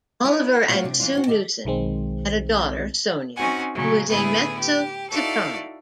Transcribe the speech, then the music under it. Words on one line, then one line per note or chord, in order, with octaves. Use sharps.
Oliver and Sue Knussen had a daughter, Sonya, who is a mezzo-soprano.
E4 A#4 B4 C#5 E5
F#3 A3 A#3 C4 F4 F#4
C3 D4
E3 D4 F4
C4 F4 F#4
D2 G4 A4 D#5 A5
B1 D#3 G#3 C4
C4 C#4 D#4 F#4 F#5 G#5
A#2 C#3 F#3
A2 D3 B3 E4 G#4
G4
D#4 E4 F#4 A4 D5 F5